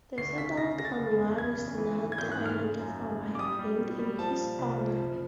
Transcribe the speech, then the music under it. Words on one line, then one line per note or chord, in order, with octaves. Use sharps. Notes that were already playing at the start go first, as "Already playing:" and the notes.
They settled on what is now the Island of Hawaii, named in his honor.
D2 C7
C#3 B6
C#3 A#6
C#3 A#6
A6
F#1
E2
E2 G#6
C#3
E3
G#1
G#6
G#1 G6
F#6
G#2
F6
C#3
F#2
F#1
F#1
D6
G3 D#6
G3
B2
G3
F3 A5
A#2
C2
F3
F#1